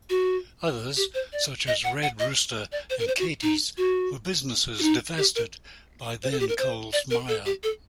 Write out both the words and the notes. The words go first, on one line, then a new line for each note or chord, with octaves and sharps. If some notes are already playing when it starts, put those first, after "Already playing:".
Others such as Red Rooster and Katies were businesses divested by then Coles Myer.
F#4
G4
C5
D5
D#5
F#5
F#5
D#5
D5
C5
A#4
C5
F#4
D#4
F#4
F#4
D#4
G4
A#4
C5
A4
G4
A#4
C5
D5
A#4
A4
G4
A4